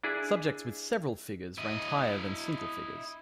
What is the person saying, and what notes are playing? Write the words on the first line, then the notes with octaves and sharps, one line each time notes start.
Subjects with several figures ranked higher than single figures.
D4 E4 G#4
E4 D#5